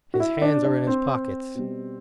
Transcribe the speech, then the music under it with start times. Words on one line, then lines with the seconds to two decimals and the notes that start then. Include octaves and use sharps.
His hands are in his pockets.
0.14 F#4
0.20 E4
0.42 D4
0.65 D4
0.87 C4
1.55 B2 G3